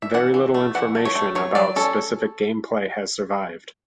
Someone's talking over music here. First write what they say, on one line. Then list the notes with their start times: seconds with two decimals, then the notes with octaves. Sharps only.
Very little information about specific gameplay has survived.
0.02 E5
0.14 E3 F#5
0.34 E3
0.54 A3
0.75 E3 F#5
0.95 A3
1.05 C#5
1.15 A3
1.35 F#3 C#5
1.55 F#3 D5
1.76 C#4 A4